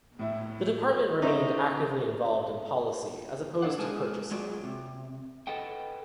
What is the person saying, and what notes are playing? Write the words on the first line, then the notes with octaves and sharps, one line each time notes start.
The department remained actively involved in policy as opposed to purchasing.
A2 E4
C#4 D#4 E4 C5
D4 E4 F4 D5 F5 F#5
G#3 G#4 A#4 B4 G#5 A5
F#3 G#3 F4 F#4 G#4 D5
C3
A4 B4 D#5 F#5 G5